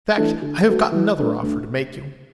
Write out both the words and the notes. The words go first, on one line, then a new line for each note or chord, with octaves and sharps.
In fact, I have got another offer to make you.'
E3 A3 D4
D3
A3 F#4 B4
E3
A3 D4 B4
D2